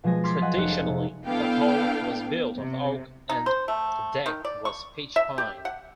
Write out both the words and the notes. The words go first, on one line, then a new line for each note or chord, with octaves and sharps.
Traditionally, the hull was built of oak and the deck was pitch pine.
B2 F3 F#3 G#3 G#5 A#6
C6 D6 F6 G#6 A6 B6
G#4 D#5 F5 F#5 G#5
F1 C#4 D#4 F#6 C#7
G#3
C3
B3 D4 E4 A4 F5 G5
C3
D#4
C5
A3
D#3
D5
C#6
E5
G4
F#5